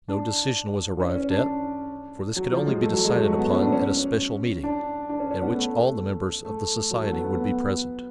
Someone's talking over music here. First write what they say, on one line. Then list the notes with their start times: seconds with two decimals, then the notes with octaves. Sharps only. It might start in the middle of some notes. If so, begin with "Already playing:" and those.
No decision was arrived at, for this could only be decided upon at a special meeting, at which all the members of the society would be present.
0.08 D4
1.00 C#4
1.16 C#4
1.30 D4
2.36 F#3
2.52 F3
2.66 G#3
2.81 A3
2.92 F#3
3.05 G#3
3.15 F#3
3.27 A3
3.39 B3
3.50 C#4
3.62 D4
3.72 C#4
4.64 D4
5.09 D4
5.20 C#4
5.31 C#4
5.42 B3
5.54 A3
6.45 A3
6.91 F#3
7.02 A3
7.13 B3
7.24 B3
7.36 B3